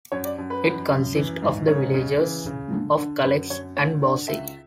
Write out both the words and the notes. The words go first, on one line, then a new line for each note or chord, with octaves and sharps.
It consists of the villages of Collex and Bossy.
F#2 C#5
D5
F#2
B4
F#2
F#2
E3
G#2
C#3 C#5
C#3
E3
C#3
D3
D3
F#2 B4
F#2 C#5
D2 C#5
D3 D5
C#2 E5